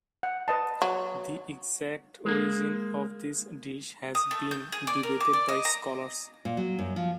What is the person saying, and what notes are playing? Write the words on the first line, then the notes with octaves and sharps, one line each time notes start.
The exact origin of this dish has been debated by scholars.
F#5
B4 D#5 A5
F#3
G#3 A#3
D#6
A3
G6
G#4
D5
A#4
D6
D5
D#5
A#5
A#2
F#3
F#2
F3